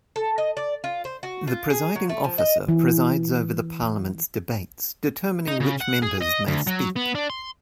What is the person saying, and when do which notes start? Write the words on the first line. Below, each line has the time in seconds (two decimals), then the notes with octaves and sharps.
The Presiding Officer presides over the Parliament's debates, determining which members may speak.
0.16 A4
0.38 D#5
0.57 D5
0.84 F4
1.05 C5
1.23 F#4
1.48 F4
1.70 G#4
1.96 F#3
2.09 A3
2.24 F3
2.38 D#5
2.69 E3
5.48 D#4
5.60 C#3
5.81 F#5
6.02 G#4
6.21 D#5
6.47 D2
6.67 F#3
6.96 B3
7.15 D4
7.30 C6